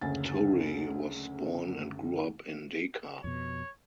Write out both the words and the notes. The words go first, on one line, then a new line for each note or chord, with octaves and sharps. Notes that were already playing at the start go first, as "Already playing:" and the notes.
Toure was born and grew up in Dakar.
F#1 D2 C#3 G#5 A6
F2 B2 C#5